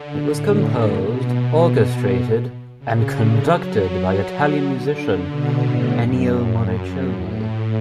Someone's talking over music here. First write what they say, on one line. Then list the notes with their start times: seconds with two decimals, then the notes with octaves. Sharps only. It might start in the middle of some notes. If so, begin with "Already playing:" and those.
It was composed, orchestrated, and conducted by Italian musician Ennio Morricone.
Already playing: D3
0.30 A2
0.92 B2
2.79 C#3
3.09 D3
3.41 F#3
4.65 D3
5.28 B2
5.59 A2
5.89 F#2
6.52 F#2
7.13 A2